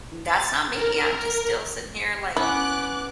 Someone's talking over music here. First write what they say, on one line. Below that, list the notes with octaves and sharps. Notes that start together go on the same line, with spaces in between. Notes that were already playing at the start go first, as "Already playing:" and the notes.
that's not me, I'm just still sitting here, like,
A6
A#4
B3 C#4 E4 D6 F#6